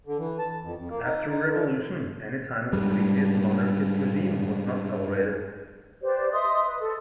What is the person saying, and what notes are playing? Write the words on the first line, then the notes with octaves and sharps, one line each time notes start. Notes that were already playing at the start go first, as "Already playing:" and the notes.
After the revolution, any sign of the previous monarchist regime was not tolerated.
D3
E3
A5
F2
F2
A#3
D#4
D#4
D3
G#2 G3
G4 B4 C5 D5
D#5 E5 C6 D#6
B4
A4